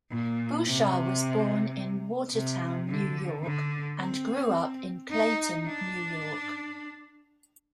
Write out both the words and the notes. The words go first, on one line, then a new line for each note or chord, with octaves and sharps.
Bouchard was born in Watertown, New York and grew up in Clayton, New York.
A#2
C3
C3
D3
D3
C4
D#4
D4